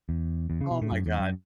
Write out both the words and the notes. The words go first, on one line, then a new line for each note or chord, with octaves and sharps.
Oh my god.
E2
E2
C#3
B2
A2
F#2
E2
F#2